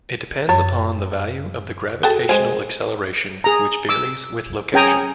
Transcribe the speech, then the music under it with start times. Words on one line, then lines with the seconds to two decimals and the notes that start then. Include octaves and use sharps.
It depends upon the value of the gravitational acceleration, which varies with location.
0.49 F#2 C#5
2.03 F#4 G#4 A4 G5 A5
2.29 G#3 G#4 C5
3.44 G#4 A#5
3.89 D6 E6
4.74 C#4 G#4 G5 G#5 A#5